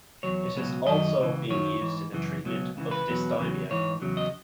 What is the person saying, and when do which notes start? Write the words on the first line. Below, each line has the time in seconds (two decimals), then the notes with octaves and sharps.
It has also been used in the treatment of dysthymia.
0.23 E2 D#3 F#3 C#5
0.55 C#2 B2 F#3
0.86 F#2 D#3 F#3 D#5
1.18 C#2 C#3 E3
1.49 F#2 D#3 F#3 C#5
1.81 G#2 E3
2.12 F#2 C#3 E3
2.45 C#2 B2 F#3
2.76 C#2 C#3 E3
2.91 B4
3.07 E2 B2 F#3
3.39 E2 C#3 F#3
3.70 G#2 E3 C#5
4.02 E2 C#3 F#3
4.17 D#5